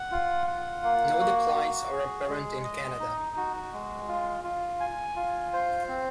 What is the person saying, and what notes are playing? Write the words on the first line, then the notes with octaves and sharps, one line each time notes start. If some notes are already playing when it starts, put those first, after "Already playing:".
No declines are apparent in Canada.
Already playing: F#5
F4
F#5
A#3
F#4
F#4
G#4
G#3
D#5
D#4
F#4
G#3
F4
F4
G#5
F4
C5
C4